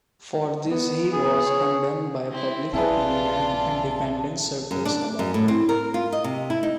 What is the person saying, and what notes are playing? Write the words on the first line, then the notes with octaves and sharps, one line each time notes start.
For this he was condemned by public opinion and independence circles alike.
B3
G#4
C#5
C4 E4
A#1 C4 E4 F4 G#4 B4 D5 A5
F#2
D4
F#2
A2
C4
A#4
F4
D#5
C3
E4
D#4